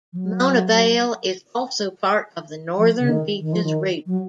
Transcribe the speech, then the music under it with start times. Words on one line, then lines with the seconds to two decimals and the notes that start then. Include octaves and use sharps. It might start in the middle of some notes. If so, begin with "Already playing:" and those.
Mona Vale is also part of the Northern Beaches region.
0.13 F3
0.17 F#3
2.77 F3
2.99 C#3
3.09 D#3
3.41 D#3
3.53 F3
3.64 D#3
4.06 F#3